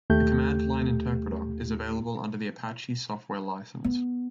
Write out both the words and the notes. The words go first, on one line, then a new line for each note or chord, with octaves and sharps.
The command line interpreter is available under the Apache Software License.
D#2 A3 G4 G6
B3